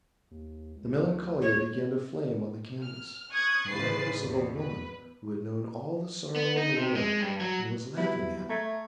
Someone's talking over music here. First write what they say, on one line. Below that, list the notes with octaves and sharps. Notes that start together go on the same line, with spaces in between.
The Melancolia began to flame on the canvas, in the likeness of a woman who had known all the sorrow in the world and was laughing at it.
D#2
C#2
D2
C#5
F6
C#6 D#6 F#6 G#6
A1 C#3 B4 C5 A6 C7
E2 B2
B4
B3
D#4
C3
G#3
G2
F#3
F#3 G3 B3 E4
A3 A#5 G#6